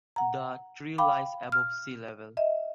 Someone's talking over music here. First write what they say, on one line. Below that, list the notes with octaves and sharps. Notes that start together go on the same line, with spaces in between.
The tree lies above sea level.
F#5 A#5
F5 G5 B5 D6
F6
D#5 E5